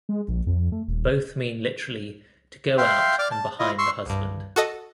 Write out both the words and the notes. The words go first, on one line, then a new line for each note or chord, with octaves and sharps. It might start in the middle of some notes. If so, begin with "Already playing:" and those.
Both mean literally "to go out and behind the husband".
G#3
A#1
F2
A3
D#1
E5 F5 G5 C6
D5 D6 F6
A5
E4 F4 D#5
C6 C#6 E6
C2 G2
F#4 A4 D#5